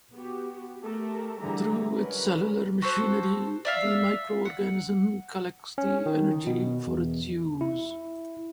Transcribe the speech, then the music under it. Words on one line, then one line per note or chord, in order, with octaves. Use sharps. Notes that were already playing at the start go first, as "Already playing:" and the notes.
Through its cellular machinery, the microorganism collects the energy for its use.
B3 F#4 G4
A3 G4 A4 A#4
D3 E3 G3 G#4 E5 A#5
D3 F#3 C#4 A#4 B4
F#4 A4 C5
D5 E5 F5
F#5
C#4
D#3
B2
E2
E4